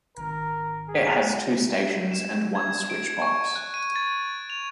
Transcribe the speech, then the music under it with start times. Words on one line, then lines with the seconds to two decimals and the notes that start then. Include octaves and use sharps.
It has two stations and one switchbox.
0.17 G#1 D#3 A#4
0.88 G#4
2.12 E7
2.55 G#6
2.90 D7
3.22 C#6
3.56 F#6
3.74 D#7
3.96 A6
4.50 F7